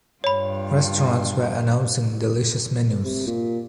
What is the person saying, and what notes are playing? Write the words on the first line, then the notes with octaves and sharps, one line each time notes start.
Restaurants were announcing delicious menus.
G2 F4 C#5 B5
C3
A#2